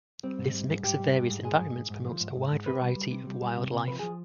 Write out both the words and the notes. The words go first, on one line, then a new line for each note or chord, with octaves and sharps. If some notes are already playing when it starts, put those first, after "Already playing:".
This mix of various environments promotes a wide variety of wildlife.
G3 C4
G#2
G3
G#2
G#2 G4
G3
G#2
G#2
G#3 G#4
G#2
G#2
G#2
F3
G#2
G#2
G#2
C3 B4
G3
G3
C3
G3
G3
C3
C3
F3 B4
F3 G#4